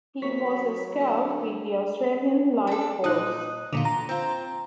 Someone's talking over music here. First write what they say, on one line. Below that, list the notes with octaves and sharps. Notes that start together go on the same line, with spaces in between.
He was a scout with the Australian Light Horse.
D#2 F#3 C4 C#5 C#6 B6
D3 D4
D4 A4
A#2 D#4 D#6 F#6
E2 A#2 D3 D4 F4
A#5
C4 F4